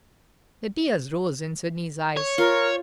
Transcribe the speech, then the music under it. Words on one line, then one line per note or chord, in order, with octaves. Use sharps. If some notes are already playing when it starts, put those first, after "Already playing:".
The tears rose in Sydney's eyes.
C#5
F4 A#4